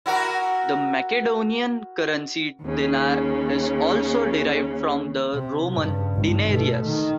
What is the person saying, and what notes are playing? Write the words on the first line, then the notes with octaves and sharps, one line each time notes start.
The Macedonian currency "denar" is also derived from the Roman denarius.
E4 F#4 A#4
D#2 C#3
C3
G2 C#3
G#1 G2
B2 A3
D#3